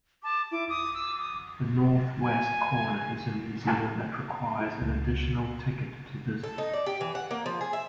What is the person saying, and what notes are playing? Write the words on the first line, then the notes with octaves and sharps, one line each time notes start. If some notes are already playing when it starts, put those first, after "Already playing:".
The northwest corner is a museum that requires an additional ticket to visit.
A5 D6
E4 D6
D6 D#6
E6
D#6
G#5
E4
C#2
A4
D#4
D5
G4
E3
F#5
A#3
F3
G#4
E5